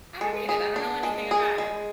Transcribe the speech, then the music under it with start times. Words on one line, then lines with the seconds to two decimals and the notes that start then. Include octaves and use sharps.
I don't need it, I don't know anything about it.
0.21 G#3
0.49 G#4
0.76 D4
1.03 G#3
1.31 G#4
1.58 G#3